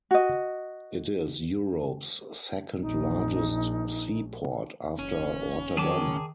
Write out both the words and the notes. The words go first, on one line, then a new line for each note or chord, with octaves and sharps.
It is Europe's second-largest seaport, after Rotterdam.
F#4 D#5
A#1 D#4
F#1 C#4
D#3 F#3 G#4 A5 D6